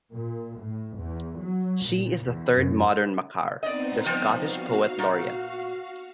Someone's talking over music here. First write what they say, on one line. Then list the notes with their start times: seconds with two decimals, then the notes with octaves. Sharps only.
She is the third modern Makar, the Scottish poet laureate.
0.12 A#2
0.58 A2
0.97 E2
1.40 F#3
1.85 A#2
2.24 E2
2.54 F#2
3.63 B3 C4 D#4 D5 D#5
4.06 F3 G3
4.38 F#4 F5
4.99 A#2